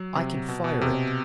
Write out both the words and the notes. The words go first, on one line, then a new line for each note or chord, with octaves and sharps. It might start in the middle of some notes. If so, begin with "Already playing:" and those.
I can fire it.
Already playing: F#3
C3
B2
B2
C3